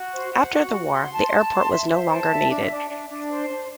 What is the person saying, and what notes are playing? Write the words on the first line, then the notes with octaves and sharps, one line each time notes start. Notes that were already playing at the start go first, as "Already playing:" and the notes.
After the war, the airport was no longer needed.
Already playing: F#4
C5
F#5
F#4
F#5
C6
A5
A5
C6
E5
C5
A5
E5
D4
D4
D4
D4
C5
D4